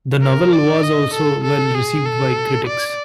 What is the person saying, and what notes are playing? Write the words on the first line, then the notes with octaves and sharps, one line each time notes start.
The novel was also well received by critics.
A#4
D5
D#5
A4
A4
G#4
A4
D5